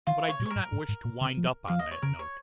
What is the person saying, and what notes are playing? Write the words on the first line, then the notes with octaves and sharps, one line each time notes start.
But I do not wish to wind up on that note.
D#3 F4
C#5
A#2
C#5
A#4
G#2
G#2
G#2
A#2
C#3
F3
F3 F5
D#5
C#5
C#3 A#4
C#5